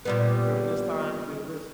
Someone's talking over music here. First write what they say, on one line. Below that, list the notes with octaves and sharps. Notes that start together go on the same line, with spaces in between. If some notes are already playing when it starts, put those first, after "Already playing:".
during this time, do this"
A#2 G3 B3